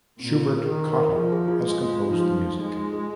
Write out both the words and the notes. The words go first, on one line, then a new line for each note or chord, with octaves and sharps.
Schubert Cotta has composed the music.
A#2 C4
F4
A#4
D#3 A#4
A#4
F3 G#4
G#4
F4
G#3 F4
F4
F3 D#4
D#4
G#3 D#4
F4
G#4